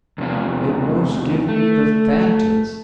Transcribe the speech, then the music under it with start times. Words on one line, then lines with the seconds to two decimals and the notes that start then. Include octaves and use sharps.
It most give me the fan-tods.
0.18 E2 C3 F3 F5
1.48 A3